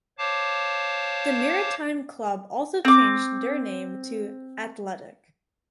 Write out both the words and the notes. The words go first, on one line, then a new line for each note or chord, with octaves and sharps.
The Maritime club also changed their name to ‘Athletic’.
C5 C#5 F5 A5 D6
C4 D6